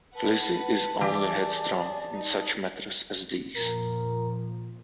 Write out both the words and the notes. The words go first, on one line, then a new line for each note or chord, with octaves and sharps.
Lizzy is only headstrong in such matters as these.
B4 F#5 A5
E3 G4 G#4 D5
D#4
F2 A#2 F3 A#4